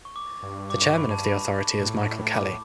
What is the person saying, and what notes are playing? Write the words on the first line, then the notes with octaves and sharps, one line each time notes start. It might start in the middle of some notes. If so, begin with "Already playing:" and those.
The Chairman of the Authority is Michael Kelly.
C#6
D6
G2
D6
C#6
B5
A5
B5
A2
D6